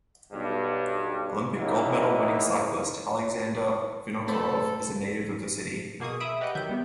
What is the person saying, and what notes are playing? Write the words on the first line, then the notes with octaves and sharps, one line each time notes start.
Olympic gold medal winning cyclist Alexander Vinokourov is a native of the city.
B1 G2
C#2 E3 A#3 D#4
A3 A4 B4 C5
B2 A#3 G#4 C#6 D#6
E5 B5 D#6 E6 D7 D#7
G4 B4 D#5 F#5 G5 F#6
D#3 F#3 E5 G6
G3 B3 G4